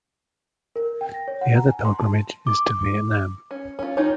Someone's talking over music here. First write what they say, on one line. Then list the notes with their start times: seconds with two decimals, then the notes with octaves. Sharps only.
The other pilgrimage is to Vietnam.
0.76 A#4
1.01 G5
1.14 A#6
1.28 C#5
1.41 F#5
1.56 A#5
1.68 G#5
1.85 C6
1.99 A5
2.47 D6
3.51 C#4
3.79 C#4 F4
3.97 D#3 D#4 F4 C#5